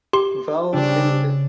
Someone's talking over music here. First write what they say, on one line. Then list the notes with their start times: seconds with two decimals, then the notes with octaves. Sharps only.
Vowles Ltd.
0.13 G4 C6
0.73 C#3 G3 C4 D4